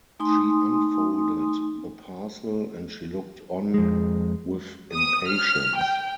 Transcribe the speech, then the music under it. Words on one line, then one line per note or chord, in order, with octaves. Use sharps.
She unfolded the parcel, and she looked on with impatience.
A3 D#4 G#5 C6 D#6
F2 G#3
D#6
F6
G5